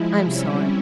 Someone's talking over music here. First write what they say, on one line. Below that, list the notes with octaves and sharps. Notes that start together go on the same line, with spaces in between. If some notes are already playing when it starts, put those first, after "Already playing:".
I'm sorry.
Already playing: F3 G#3 E4
C3 G3 C#4 E4